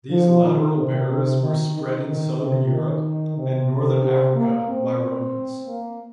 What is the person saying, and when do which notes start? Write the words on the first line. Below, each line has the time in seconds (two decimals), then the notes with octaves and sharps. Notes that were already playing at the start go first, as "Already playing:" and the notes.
These lateral-bearers were spread in southern Europe and northern Africa by Romans.
0.10 F3
0.43 D#3
0.75 C3
1.08 C3
1.41 D#3
1.74 D#3
2.06 D#3
2.39 C3
2.72 D#3
3.37 C3
4.02 C3
4.35 A#3
4.68 C4
5.66 A#3